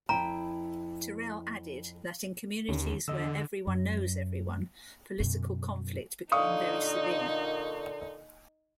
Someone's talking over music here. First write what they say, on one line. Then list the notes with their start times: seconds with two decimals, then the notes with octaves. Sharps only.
Terrell added that in communities "where everyone knows everyone" political conflict became very severe.
0.09 F2 E4 G5 A#5
2.69 D#2 D3 D#3 C#4
3.08 E2 D3 D#5 E6
3.67 F#2
5.19 F#2 B2
6.32 A#2 D3 D#4 F5 C#6 D#6